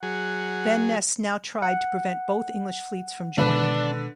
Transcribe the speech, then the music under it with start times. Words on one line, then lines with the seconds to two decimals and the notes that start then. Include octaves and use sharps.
Van Nes now tried to prevent both English fleets from joining.
0.03 F#3 G#4 F#5
1.62 F#5
3.38 B2 D3 D#3 G#3 D4 B4